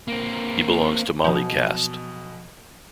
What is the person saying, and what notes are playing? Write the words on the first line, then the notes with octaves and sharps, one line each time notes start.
He belongs to Mali caste.
A#3 C4
B1 B2 F3